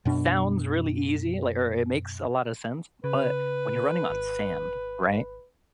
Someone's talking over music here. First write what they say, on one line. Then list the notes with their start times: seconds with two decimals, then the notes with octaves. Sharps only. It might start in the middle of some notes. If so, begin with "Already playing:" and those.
sounds really easy, like, or it makes a lot of sense, but when you're running on sand, right,
0.05 F#2 B2 D4
3.04 C#3 B4
4.10 G#1